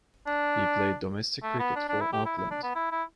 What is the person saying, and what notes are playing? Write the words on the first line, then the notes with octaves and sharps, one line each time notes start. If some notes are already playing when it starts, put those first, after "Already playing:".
He played domestic cricket for Auckland.
D4
A3
B3
D4
D4
E4
G4
E4
E4
D4
B3
E4
E4